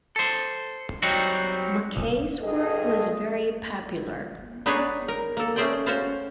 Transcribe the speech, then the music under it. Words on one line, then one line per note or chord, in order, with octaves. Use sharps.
McCay's work was very popular.
A4 C5
F#3 G3 C4 D#4 F#4
C2
D2 G2 G#4 A4 D#5
B3 D4 D#4 G#4 B4 C#5
A#4
A#3 A4
A3 C#4 G#4 C5 D5 G5
C#4 F#4 C5 F5 A5